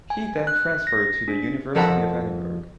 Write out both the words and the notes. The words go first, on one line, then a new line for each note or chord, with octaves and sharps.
He then transferred to the University of Edinburgh.
G#5
F#6
A#6
D4
F2 F3 A4 A#4 F#5 B5